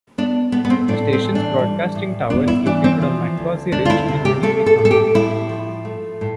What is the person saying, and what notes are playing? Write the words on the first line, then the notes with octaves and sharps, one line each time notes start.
The station's broadcasting tower is located on McCausey Ridge in Menifee County.
B3 D4
A2 B3
B3
C4
A2 D4
C4
E3
D4
G3
A2
B3 D4
E4
E3 D4
C4
F3
D2
D2 D4
F4
E4
C3
G4
A3 A4
A4
A2
A4
G4
A2 E4
F3
A3
A2